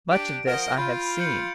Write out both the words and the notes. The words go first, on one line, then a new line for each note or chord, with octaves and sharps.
Much of this I have seen.
D4 G4 D7
F3 A#4 D#5 F#5
F4 B5 G6
G6 C#7 F#7